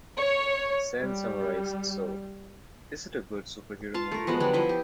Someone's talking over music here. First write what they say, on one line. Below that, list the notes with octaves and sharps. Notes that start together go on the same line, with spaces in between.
Sen summarised So, is it a good superhero movie?
C#5
G3
F4 F5 A5
A3 A#4
F3 G#3 B3 F#4
D3 F#3 G3 D4
F3 E4 D#5 E5
G4